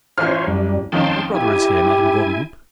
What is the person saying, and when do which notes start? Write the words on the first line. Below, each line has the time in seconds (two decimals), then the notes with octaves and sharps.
"Your brother is here, Madam Gordeloup."
0.18 A1 E3 F4 C5 C#5 F6
0.47 F#2 G3
0.92 F2 D#3 C#4 G5 A5 C6
1.34 E4 G4 G#5